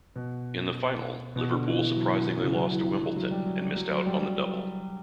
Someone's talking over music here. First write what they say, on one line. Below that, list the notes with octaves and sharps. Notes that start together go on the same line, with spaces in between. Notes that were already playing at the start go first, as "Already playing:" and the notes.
In the final, Liverpool surprisingly lost to Wimbledon and missed out on the "double".
B2
B2
D3
E3
E3
F#3
E3
E3
C#3
F#3
E3
D3
F#3
F#3
G3
F#3
G3
F#3
F#3
G3
F#3